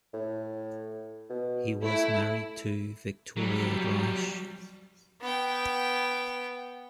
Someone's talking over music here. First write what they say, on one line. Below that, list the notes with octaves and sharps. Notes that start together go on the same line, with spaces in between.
He was married to Victoria Reich.
A2
B2
A3 E4
F#3 G3
B3 G5